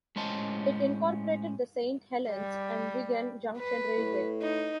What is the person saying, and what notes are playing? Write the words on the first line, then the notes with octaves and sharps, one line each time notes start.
It incorporated the Saint Helens and Wigan Junction Railway.
A2 G#3 C#4 C5 D#5 A5
G3
B4
A2
D#4